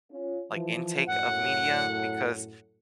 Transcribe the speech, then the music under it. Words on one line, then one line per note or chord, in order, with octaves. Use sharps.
like intake of media, because
C#4 F4
E3 F3
F#2 A2 F#5